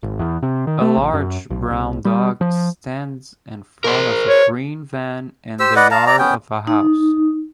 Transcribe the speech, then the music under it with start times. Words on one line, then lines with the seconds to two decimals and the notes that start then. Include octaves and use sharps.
A large brown dog stands in front of a green van in the yard of a house.
0.03 G#1
0.19 E2
0.42 C3
0.67 D#3
0.82 A3
0.97 A#1
1.13 F#2
1.50 B1
1.71 C2
2.05 G3
2.41 F3
3.84 A#4 C5
4.26 C#5
5.60 G4 C5 E6
5.76 B4 D5 D#5 F#5
5.91 F5 A5 A#5
6.07 D5 A#5
6.19 B3 C#4 G5
6.67 D#4